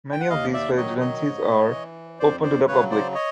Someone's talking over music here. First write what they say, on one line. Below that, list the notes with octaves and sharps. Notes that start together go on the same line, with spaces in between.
Many of these residences are open to the public.
G5
F#5
D#2 D#5 F5
D5 E5
D#3 F#3 C#5 D#5
C#5 D#5
G#2
E3
F2 C5 D5
C5 D5
C#3 F#3 B4 C#5
C5 D5
C#5 D#5